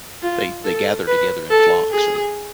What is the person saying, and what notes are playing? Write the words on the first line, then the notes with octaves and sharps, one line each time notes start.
They they gather together in flocks and
F4
A4
B4
A4
G#4